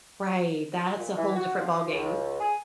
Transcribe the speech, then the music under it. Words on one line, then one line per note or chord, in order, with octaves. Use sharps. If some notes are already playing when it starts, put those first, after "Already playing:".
Right, that's a whole different ballgame.
A#2
E3
F#4
F3
C#2
G#4